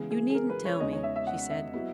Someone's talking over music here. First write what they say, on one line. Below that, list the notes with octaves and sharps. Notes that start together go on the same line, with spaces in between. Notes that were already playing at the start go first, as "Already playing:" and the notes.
"You needn't tell me," she said.
Already playing: C#3 E3 G#3 B3 G#4
G#4
G#4
A#4
B4
C#5
E2 C#3 G#3 D#4 D#5
C#5
E5
E5
F#5
E5
F#3 B3 E4